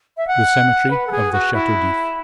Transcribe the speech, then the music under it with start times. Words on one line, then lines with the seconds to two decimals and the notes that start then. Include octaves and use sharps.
The Cemetery of the Chateau D'If.
0.17 E5
0.28 F#5
0.91 B4
1.07 A4
1.11 G#4
1.32 F#4
1.53 E4